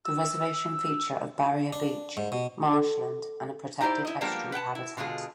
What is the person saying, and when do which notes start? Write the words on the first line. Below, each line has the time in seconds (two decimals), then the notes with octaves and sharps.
The reservation features of barrier beach, marshland, and a protected estuary habitat.
0.05 E6
1.73 D4
2.17 G#2
2.32 B2
2.73 A4
3.81 D#4 E4 G4 C5 D5
4.05 E4 D#5
4.21 F3 G3 G#3 A#3 B3 D4
4.52 B4 F#5 G5 A5
4.75 E4
4.97 B2 D3 G#3 F4 G#4